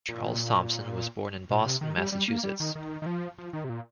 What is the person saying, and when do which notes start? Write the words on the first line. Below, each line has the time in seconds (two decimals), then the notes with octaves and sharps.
Charles Thompson was born in Boston, Massachusetts.
0.09 A#2
1.50 A#2
1.65 C3
1.81 D#3
1.97 G3
2.12 G3
2.28 A#3
2.43 G3
2.60 D#3
2.75 D#3
3.02 D#3
3.06 F3
3.38 F3
3.53 D#3
3.64 C3
3.69 A#2